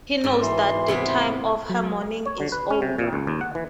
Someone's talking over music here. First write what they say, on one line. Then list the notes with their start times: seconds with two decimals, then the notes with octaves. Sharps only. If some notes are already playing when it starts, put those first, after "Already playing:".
He knows that the time of her mourning is over.
0.24 G#2
0.41 B2 E3 C6
0.88 C3 B3 E4
1.70 F#3
2.26 C#5
2.40 D3
2.52 B4
2.70 C#4
2.82 C3
2.98 A#2
3.13 C#2
3.27 D#2
3.41 F#5
3.55 E3